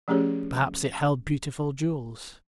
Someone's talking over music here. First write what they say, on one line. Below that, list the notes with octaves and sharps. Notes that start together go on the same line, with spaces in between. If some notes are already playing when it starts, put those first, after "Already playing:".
Perhaps it held beautiful jewels.
F3 A3 C#4 G4 G#4 C#5